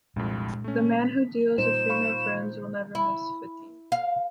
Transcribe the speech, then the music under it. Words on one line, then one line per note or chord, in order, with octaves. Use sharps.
The man who deals with female friends, will never miss fatigue.
C2 F2 A#2 G#3 D4
A3 C#4
B6
A#2 G3 D#4 C5 E7
F5 B5 C#6
E4
F5